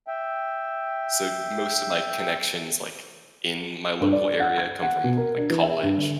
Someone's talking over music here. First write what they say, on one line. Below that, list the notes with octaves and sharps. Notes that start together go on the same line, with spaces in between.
so most of my connections, like, in my local area come from, like, college
E5 G5
G2
D5
F#5
G#6
F#5
B2
A#4
D4
E3
E5
G2
D3